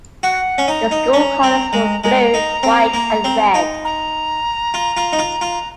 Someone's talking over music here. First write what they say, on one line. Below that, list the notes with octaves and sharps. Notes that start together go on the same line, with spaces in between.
The school colors were blue, white and red.
F#4 F#5
C#4
D#4 A#5
D#4
C#4
C4
G#3
G#3 A#5
D#4
C4
A#3
C4
D#4
A#5
F4
F4
D#4
F4
F4